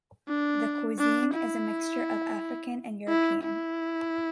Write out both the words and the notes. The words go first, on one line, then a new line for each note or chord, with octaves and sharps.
The cuisine is a mixture of African and European.
D4
D4
E4
E4
E4